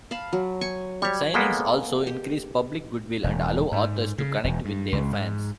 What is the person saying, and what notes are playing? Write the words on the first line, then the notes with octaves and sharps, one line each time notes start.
Signings also increase public goodwill and allow authors to connect with their fans.
F5 A5 B5
F#3
G#5 C#6
G3 C#5 C#6
G#3 A#3 B3 A4 G5
G4
E1
G#2
C#3
E1
G2
C#2
G#2